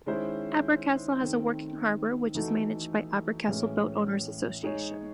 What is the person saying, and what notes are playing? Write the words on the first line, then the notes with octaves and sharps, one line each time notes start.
Abercastle has a working harbour which is managed by Abercastle Boat Owners Association.
D#3 G#3 C#4 E4 C5
D#3 A3 C4
E3 A3 D#4 F#4 A4
A2 E3 G#3 C#4
G#3 D#4 G#4 C#5